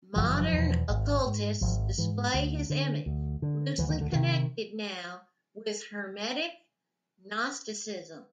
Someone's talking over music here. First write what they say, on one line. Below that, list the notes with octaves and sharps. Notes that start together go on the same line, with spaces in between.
Modern occultists display his image, loosely connected now with Hermetic gnosticism.
F#1 F3
E3
F3
E2 B2
G#1
G#2
G#1 F3
G#2 E3
D2
D3
D2
D3
D2 E3
D#3
D3
C3 D#3